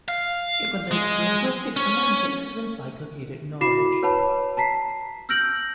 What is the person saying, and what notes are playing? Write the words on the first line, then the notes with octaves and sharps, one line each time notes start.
It relates linguistic semantics to encyclopedic knowledge.
F5
G#3
C#4
E4 F#4 B5 D6 C7 E7
B4 C#5 F#5 A5 B5
A5 A#5 B6 C7
E6 F6 G6 A#6 D7 F#7